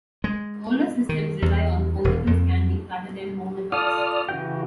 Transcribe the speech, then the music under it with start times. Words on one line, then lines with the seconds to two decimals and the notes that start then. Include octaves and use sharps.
Older systems rely on conical scanning rather than monopulse.
0.24 G#3
1.09 D#3
1.42 E2
2.04 E1
2.27 F2
3.72 F4 A4 D5 D#6 F6
4.29 C#3 E3 F#4 G5